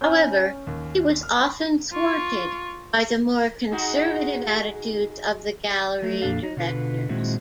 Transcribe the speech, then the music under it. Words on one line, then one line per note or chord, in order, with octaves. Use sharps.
However, he was often thwarted by the more conservative attitudes of the gallery directors.
C#4 G#5 F6 G6
D#2
F6
F4 C#6
G#3 D#4 F#4
F#3 A3
F2 A#2 D4 A4 F5
D#4
B2 D3 F4 B4
A#2 D#3 G#3 C4 E4 F#4